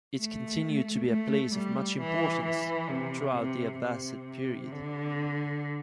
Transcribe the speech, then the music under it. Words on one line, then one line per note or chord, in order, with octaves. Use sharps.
It continued to be a place of much importance throughout the Abbasid period.
A3
A3
G3
E3
E3
C3
C3
C3
D3